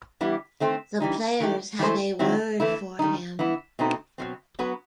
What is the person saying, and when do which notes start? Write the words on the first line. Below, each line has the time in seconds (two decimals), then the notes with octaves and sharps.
The players have a word for him.
0.21 E3 G3 B3 E4 G4
0.60 D#3 A3 C4
1.00 E3 G3 D#4
1.40 E3 A3 D#4 G4
1.79 E3 A3 E4 A4 C5
2.19 D#3 F#3 C4 E4
2.60 E3 A3 E4
2.99 D#3 G3 D#4
3.39 E3 B3 E4
3.79 B2 A3 C4 D#4
4.18 B2 F#3 C4
4.59 F#3 B3 F#4 B4